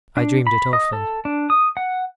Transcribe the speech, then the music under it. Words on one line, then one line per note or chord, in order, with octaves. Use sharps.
I dreamed it often.
D4
B5
D#5
A4
D4
D#6
F#5